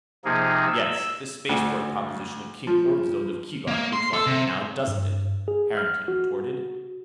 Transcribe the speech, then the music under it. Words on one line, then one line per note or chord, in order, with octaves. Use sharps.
"Yes, this spaceport proposition of King Orgzild of Keegark looks like it, now doesn't it?" Harrington retorted.
C3 F3 A#3 D#4 G#4
E6
D2
F3
A#3
C6
A4
C3
G2
G#4
F6
F#4